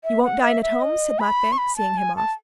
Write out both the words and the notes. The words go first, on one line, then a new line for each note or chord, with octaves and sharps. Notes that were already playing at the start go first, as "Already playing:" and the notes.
"You won't dine at home?" said Matvey, seeing him off.
E5
F#5
E5
E5
D#5
B5
C#6
B5
A5
G#5
A5